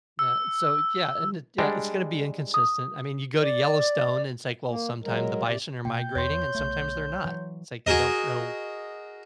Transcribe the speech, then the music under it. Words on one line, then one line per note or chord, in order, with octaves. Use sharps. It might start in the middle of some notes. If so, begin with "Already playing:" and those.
Yeah, so yeah, and it yeah, it's gonna be inconsistent, I mean, you go to Yellowstone, and it's like, well, sometimes the bison are migrating, and sometimes they're not, it's like, you don't know,
E6
G3 G#3 D4
D#6
D5
A#3
F#3 G#3 A#4
C3 D5
B2 A#3 G5 G6
E2 C#5 C6
B1 A3
E3 F#3
F#4 G#4 A#4 D#5